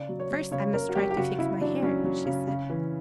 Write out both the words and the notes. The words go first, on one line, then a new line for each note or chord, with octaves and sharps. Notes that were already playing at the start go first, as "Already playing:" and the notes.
"First I must try to fix my hair," she said.
Already playing: C#3 D5
F#3
C#5
F#3
C#3 C#5
C#3 A#4
F#4
F#3 G4
G4
C#3 F#4
C#3 E4
E4
F#3 D4
F#3 C#4
F#3
C#3
C#3
E3